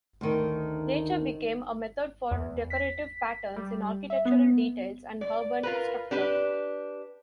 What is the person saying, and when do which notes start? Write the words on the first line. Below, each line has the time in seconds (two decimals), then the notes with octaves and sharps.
Nature became a method for decorative patterns in architectural details and urban structure.
0.21 D2 D#3
2.31 E2
2.70 B6
3.56 G3
4.10 E5
4.25 B3
5.21 D5
5.63 F4 A#4 B4
6.11 D4 G4 B4